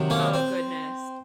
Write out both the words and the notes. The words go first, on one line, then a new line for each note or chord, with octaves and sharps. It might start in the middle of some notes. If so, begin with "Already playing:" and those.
Oh, goodness.
Already playing: C3 D#3 F#3
A#3 C#4
C4